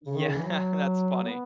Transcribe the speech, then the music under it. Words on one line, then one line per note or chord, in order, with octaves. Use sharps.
Yeah. That's funny.
C#3
D#3
C#3
E3
F#3
B3